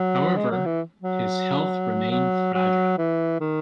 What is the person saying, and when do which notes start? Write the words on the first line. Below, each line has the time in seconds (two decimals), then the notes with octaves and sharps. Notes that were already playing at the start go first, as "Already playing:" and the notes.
However, his health remained fragile.
Already playing: F#3
0.37 G#3
0.52 F#3
0.66 E3
1.02 F#3
2.11 F#3
2.54 F#3
2.98 E3
3.40 D#3